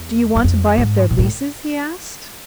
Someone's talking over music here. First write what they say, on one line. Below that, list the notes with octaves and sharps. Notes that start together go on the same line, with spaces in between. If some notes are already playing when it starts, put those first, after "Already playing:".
"Do you want to buy up their leases?" he asked.
Already playing: E2
F#2
F2
G#2
A#2
A2